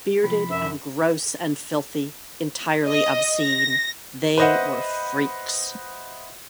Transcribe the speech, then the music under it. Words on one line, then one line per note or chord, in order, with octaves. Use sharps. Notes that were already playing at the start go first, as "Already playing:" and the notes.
'Bearded and gross and filthy, entirely obscene, they...were freaks.
C3 F3 B5
F#2 E5
D#5
A#6
B4 C5 D#5 E5 F#5